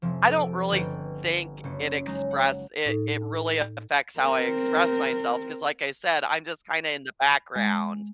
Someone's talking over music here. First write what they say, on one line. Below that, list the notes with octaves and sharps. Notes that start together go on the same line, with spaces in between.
I don't really think it express it it really affects how I express myself, 'cause like I said, I'm just kinda in the background,
F1 F3
A4 D7
G1 B4 D#5 F#5 G5 A6
F#1 C#7
F#3 G#3 D#4 A#6
F#5
A2 D#4 A4
C4 A#4
G#3